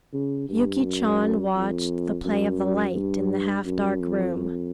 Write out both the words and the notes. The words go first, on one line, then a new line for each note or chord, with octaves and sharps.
Yuki Chan watched the play of the light in the half-dark room.
C#3
G2
F#2
F2
F#2
G2
F#2
F2
F2